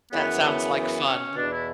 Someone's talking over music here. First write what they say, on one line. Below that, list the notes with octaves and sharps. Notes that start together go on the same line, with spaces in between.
That sounds like fun.
F#2 C#3 E3 B3
B3
B3
C#4
E2 B2 D4
E4